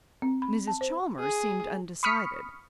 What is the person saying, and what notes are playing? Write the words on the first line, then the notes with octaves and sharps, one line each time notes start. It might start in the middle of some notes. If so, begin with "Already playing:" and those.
Mrs. Chalmers seemed undecided.
C4
B5
A5
C5
G#4
B5 C#6 D#6 F6 B6 C#7